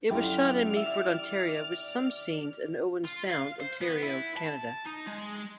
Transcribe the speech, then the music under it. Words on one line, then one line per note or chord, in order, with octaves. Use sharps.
It was shot in Meaford, Ontario with some scenes in Owen Sound, Ontario, Canada.
F#2 D3 E4 F4 G4 D5 F6
E5
F4
F5
C5
B3
E4
A5
D#4
G#3